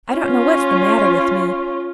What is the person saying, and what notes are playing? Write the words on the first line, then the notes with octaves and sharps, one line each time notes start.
I don't know what's the matter with me.
C#4 F4